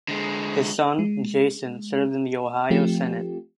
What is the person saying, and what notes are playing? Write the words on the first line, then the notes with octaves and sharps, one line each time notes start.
His son, Jason, served in the Ohio Senate.
D3 G#3
G#3
F3 A3 C4 F4 G4